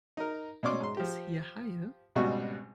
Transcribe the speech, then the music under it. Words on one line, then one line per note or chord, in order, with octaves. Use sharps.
Gibt es hier Haie?
D#4 A#4
B2 C#4 C#5 D5 C6 D6
G#2 C6
F3 G4
G#1 C#2 B2 G3 F#4 C#6